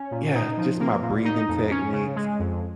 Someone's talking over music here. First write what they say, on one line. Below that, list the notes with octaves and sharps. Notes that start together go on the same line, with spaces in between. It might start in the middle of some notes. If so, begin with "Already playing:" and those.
yeah, just my breathing techniques,
Already playing: C#4
A#2
D#4
F3
A#3
A#2
D#4
F2
C#4
C#3
G#3
F2